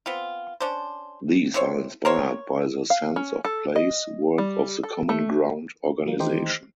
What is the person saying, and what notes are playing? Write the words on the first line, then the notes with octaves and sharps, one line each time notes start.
These are inspired by the "sense of place" work of the Common Ground organisation.
B3 C4 F4
C#4 D4 C5
C3 C5 C#5
A#4 C5 C#5
F5
C#4
A4
D#5
G3
A4
A3
F3 G3 A#3
D#3 E3 A3 D#4 G4 C5